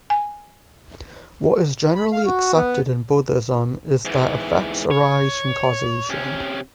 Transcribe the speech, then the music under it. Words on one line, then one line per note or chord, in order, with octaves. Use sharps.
What is generally accepted in Buddhism is that effects arise from causation.
G#5
B5
F5
F#4
B3
G#2 E3
C#5
C3 C#4